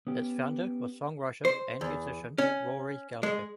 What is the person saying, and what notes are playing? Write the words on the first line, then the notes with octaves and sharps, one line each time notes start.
Its founder was songwriter and musician Rory Gallagher.
B3 C#4 G4
C5
E2
C#4
G#3